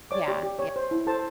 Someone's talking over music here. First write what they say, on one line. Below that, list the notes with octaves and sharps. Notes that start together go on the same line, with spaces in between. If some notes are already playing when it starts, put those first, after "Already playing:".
Yeah, ye
C#5 D5 D6
G4
G4
C#5
C5
E4
A4 C5 A5